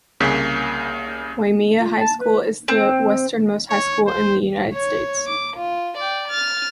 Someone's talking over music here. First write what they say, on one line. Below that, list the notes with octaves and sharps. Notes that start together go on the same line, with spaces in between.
Waimea High School is the westernmost high school in the United States.
C2 C#3 A#3 B6
F4
A5
B4
C4
C#5
C5
C#5
D6
F4
D5 G5
F6 A6